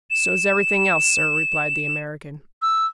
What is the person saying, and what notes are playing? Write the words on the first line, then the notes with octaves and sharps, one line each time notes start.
"So's everything else, sir," replied the American.
E7
E6